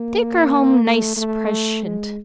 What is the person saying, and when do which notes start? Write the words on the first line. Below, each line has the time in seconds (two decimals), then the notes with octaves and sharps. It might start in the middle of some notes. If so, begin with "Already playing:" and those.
Take her home nice preshent.
Already playing: A#3
0.84 A3
1.17 A3
1.83 G#3